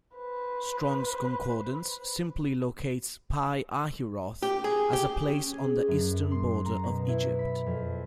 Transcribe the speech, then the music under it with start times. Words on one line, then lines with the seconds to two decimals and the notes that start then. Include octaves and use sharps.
Strong's Concordance simply locates Pi-Hahiroth as 'a place on the eastern border of Egypt'.
0.16 B4 C5
4.42 G4
4.64 G#4
4.93 G4
5.30 C#4
5.53 G#4
5.88 F#2
6.31 C6
6.65 A#5
6.84 B2
7.08 E4
7.39 B5
7.66 F2